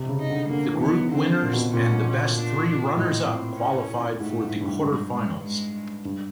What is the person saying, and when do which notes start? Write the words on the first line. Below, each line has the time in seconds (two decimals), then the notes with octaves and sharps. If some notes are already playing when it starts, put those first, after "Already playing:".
The group winners and the best three runners-up qualified for the quarterfinals.
Already playing: C3
0.09 C#3
0.20 D#4
0.30 D3
0.49 D3 A#3
0.74 E3
0.81 D#3 B3
1.11 D3 C4
1.43 A#2
1.53 B2
1.73 A#2 C#4
2.35 D4
2.96 A2 D#4
3.27 C4
3.58 C#4
4.19 G#2 A3
4.40 G#2
4.61 G2
4.81 G2 G#3
5.11 G#3
5.43 G#3
6.05 G2